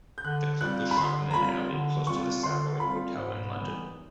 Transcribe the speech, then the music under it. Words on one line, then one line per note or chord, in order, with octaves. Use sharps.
The clip was shot in an alley close to the Savoy Hotel in London.
G6
D3 F#6
G3 C4 F4 F#6
B5
D3 C6
A#5
G3 C4 F4 B5
D3
G3 C4 F4 C#6
D3 C6
G3 C4 F4 B5
G#2
E3 G3 B3 D#4